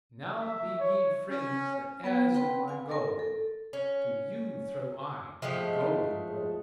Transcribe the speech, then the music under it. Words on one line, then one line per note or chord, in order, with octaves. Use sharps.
Now be ye friends the heirs of my goal; to you throw I the golden ball.
E5
C#5
C#4
B3 B4 G5
C4 B4 F#5 G5 B5
F5 G#5
A4 A#4
A4
C#4
F3 G#3 A3 G4